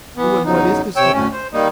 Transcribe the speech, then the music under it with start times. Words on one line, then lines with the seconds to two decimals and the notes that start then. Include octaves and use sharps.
"Who and what is this man?"
0.17 E3 B3
0.45 E2 C#3 F#3 D#4
0.96 C3 C#5 G5 E6
1.12 D2 A2 C#4
1.33 C5
1.53 D#3 G3 A#3 D#4